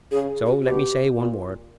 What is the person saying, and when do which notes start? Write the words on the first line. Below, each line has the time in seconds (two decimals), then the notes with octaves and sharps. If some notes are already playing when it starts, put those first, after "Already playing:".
So let me say one word.
0.11 C#3 G#4
0.46 F#4
0.63 B2 G4
1.14 A#2